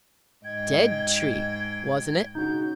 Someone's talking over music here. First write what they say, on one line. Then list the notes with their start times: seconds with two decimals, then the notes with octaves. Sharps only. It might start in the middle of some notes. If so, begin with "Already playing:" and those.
"Dead tree, wasn't it?"
0.45 G#2 D#5 G5 G#6
2.35 C#3 D#4 F#4 G6